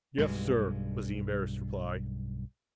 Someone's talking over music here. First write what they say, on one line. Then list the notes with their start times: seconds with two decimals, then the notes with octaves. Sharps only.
"Yes, sir," was the embarrassed reply.
0.18 B1 G2 G#3